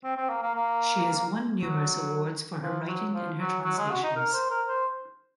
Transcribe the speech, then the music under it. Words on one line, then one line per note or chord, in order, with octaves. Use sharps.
She has won numerous awards for her writing and her translations.
C4
C4
A#3
A#3
A#3
F#3
F3
F#3
F3
F#3
F#3
G#3
F#4
D#4
A#4
C5
A#4
C5